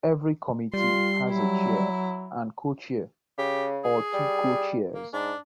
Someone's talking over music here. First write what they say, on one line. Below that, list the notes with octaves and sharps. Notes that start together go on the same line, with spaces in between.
Every committee has a Chair and Co-Chair or two Co-Chairs.
G3 F4 C6
F#3 E4
C#3 G4
G#4
G3
A#3
G#2 D4